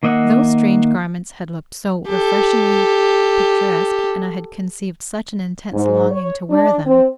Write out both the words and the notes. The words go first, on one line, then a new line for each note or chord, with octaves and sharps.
Those strange garments had looked so refreshingly picturesque, and I had conceived such an intense longing to wear them!
D#3 A#3 D#5 E5 F#5
G4 A4
G#2
C#5
D4
C4